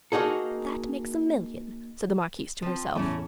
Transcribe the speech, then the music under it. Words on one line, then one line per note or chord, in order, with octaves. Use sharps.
"That makes a million," said the marquise to herself.
A#3 D#4 F#4 G#4 A4
F3 C4
E2 A2 C#3 E3 A3 C#4